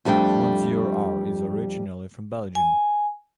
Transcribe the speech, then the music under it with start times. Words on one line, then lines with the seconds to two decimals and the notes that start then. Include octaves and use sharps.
Monsieur R is originally from Belgium.
0.05 F2 G3 A3 D4 G5
2.55 G#5